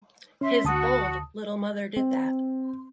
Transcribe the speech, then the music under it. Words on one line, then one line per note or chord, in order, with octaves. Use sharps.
His bold little mother did that.
C#4 E5 C6
D2 F#4 A5 D#6
C4